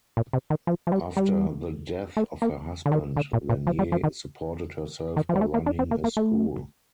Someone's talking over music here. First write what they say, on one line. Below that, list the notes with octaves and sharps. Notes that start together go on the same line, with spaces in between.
After the death of her husband, Lanier supported herself by running a school.
A#2
C3
D#3
F3
F3
G3
G3
A3
A#3
D3
D#3
D3
A#2
A#2
F3
G3
F3
D#3
D#3
F3
G3
A3
A#3
D4
C4
A#3
A#3
A3